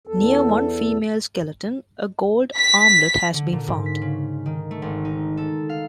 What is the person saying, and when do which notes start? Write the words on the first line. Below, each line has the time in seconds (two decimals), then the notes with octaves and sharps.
Near one female skeleton, a gold armlet has been found.
0.07 E2 A4
2.58 B6
3.34 D3
3.52 A#2
3.68 G#2
3.86 B6
4.01 C#3
4.46 D#3
4.71 A3
4.82 G#1
5.05 D#4
5.37 A4
5.69 F5